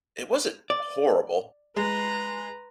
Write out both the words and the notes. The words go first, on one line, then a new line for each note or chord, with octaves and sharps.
It wasn't horrible.
D5
G#3 B4 A#5